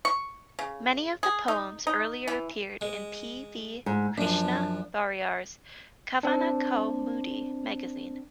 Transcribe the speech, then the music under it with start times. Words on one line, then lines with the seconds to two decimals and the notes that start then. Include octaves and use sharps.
Many of these poems earlier appeared in P. V. Krishna Variar's "Kavanakaumudi" magazine.
0.05 C#6
0.59 C#3
1.23 G#4
1.48 D#4
1.87 D#4
2.27 E3
2.81 G#3
3.86 G#2
4.18 F#2 F3 D4
6.23 C4 D4